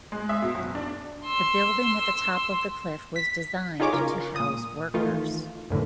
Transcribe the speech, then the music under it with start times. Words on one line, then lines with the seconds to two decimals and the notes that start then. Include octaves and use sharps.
The building at the top of the cliff was designed to house workers.
0.12 G#3
0.29 E5
0.42 B2
0.55 F#1
0.75 D4
1.25 C6 E6
3.16 B6
3.80 D#4 F4 G#4 C#5 D6
3.93 C#3 F4 A#4
4.36 A#2 D#6
4.94 D#3 E3 A3 F4
5.70 F#2 A2 D3 E3